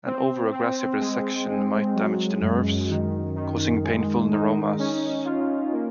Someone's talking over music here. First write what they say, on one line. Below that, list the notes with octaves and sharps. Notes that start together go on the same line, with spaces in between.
An over-aggressive resection might damage the nerves, causing painful neuromas.
C4
C4
G#3
G#3
F#3
F#2
D#3
D#3
G#3
D#4
C#4
F4
A#3